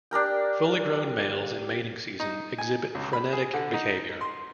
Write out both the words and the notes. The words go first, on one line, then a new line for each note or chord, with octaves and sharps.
Fully grown males in mating season exhibit frenetic behaviour.
D4 G4 A#4 G5
D#4
G#5
C#2
B5
G#4
D3
D#4
C6